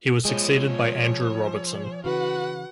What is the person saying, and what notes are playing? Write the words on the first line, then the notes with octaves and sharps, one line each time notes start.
He was succeeded by Andrew Robertson.
F3 G#3 G#4 C#5
C#3 E3 F#4 B4 F#5